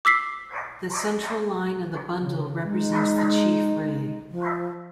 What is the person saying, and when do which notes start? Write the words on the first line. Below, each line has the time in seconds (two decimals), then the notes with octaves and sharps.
The central line of the bundle represents the chief ray.
0.05 D6 E6 B6 C7
2.20 C#3
2.66 G#3 D#4
4.31 F3